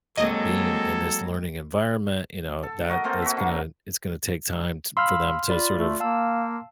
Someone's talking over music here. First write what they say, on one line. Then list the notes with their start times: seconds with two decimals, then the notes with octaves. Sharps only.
you know, being in this learning environment, you know, that that's gonna it's gona take time t for them to sort of
0.17 F#3 G#3 A#3 C4 A4 D#5
2.63 A4
2.89 F#4 A#4 D#5
3.04 A3 A#3 C4 A4
3.22 F#4 E5
3.37 D3 A#3
4.97 F5 B5 C6 E6 F6
5.48 F4 D5 B5
5.75 A3
6.00 A#3 F5 A5 E6